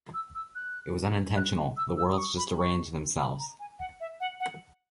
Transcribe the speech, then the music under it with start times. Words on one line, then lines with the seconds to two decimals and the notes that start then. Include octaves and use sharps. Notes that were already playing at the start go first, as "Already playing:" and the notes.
It was unintentional — the words just arranged themselves.
0.14 E6
0.35 E6
0.55 F#6
1.37 F#6
1.77 E6
1.97 E6
2.12 D#6
2.18 C#6
2.37 B5
2.58 C#6
3.19 B5
3.39 A#5
3.60 G#5
3.79 F#5
4.00 E5
4.20 F#5
4.40 F#5